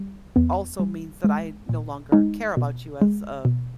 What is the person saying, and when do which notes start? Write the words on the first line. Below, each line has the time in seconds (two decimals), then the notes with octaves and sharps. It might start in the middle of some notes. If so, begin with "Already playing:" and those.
also means that I no longer care about you as a
Already playing: G3
0.36 E2 B3
0.80 G3
1.24 G#3
1.69 A#2
2.12 G#3 D#4
2.57 B2
3.02 G#3
3.45 B2